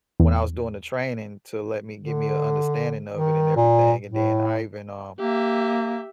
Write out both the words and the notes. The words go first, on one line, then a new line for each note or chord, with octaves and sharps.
when I was doing the training to let me, give me an understanding of it and everything and then I even, uh,
E2
D3
D#3
A#2
A2
A#3 G4 E5